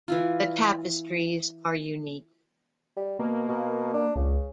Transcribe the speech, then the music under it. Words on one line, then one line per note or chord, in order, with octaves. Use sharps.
The tapestries are unique.
E3 E4 F4
G3
B2 A#3
B2
D4
C#2 C#3